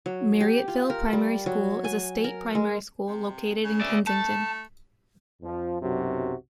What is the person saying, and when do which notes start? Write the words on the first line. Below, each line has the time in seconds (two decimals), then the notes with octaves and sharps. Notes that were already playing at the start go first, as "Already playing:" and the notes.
Marryatville Primary School is a state primary school, located in Kensington.
0.06 F#3
0.40 G4
0.68 F4
0.90 A#4
1.13 G3
1.46 F#3
1.84 G#5
2.24 A#4
2.55 G#3
3.08 C3
3.64 C#3
3.81 D5 E5
4.07 A3 A5
5.42 F2 F3
5.81 B1 F#2 C3 F#4